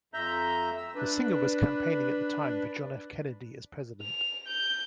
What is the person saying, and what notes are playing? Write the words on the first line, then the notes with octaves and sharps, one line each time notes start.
The singer was campaigning at the time for John F. Kennedy as president.
F2 E5 A#5 G6
E6
D4 B4
F7
G6